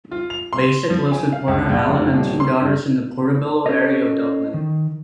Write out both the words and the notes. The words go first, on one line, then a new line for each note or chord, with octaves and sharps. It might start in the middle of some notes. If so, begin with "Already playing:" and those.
Bacik lives with partner Alan and two daughters in the Portobello area of Dublin.
F4
F7
C6
F3
G#5
F5
C#2
A#1
F1
D#1
C6
G2
C#4 A4 C5 C#5 D#5
D#3